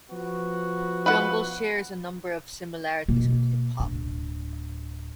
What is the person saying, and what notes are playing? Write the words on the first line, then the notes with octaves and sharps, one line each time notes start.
Jungle shares a number of similarities with hip hop.
F3 B3 F#4
B4 F#5
B2 A#3
D1 D4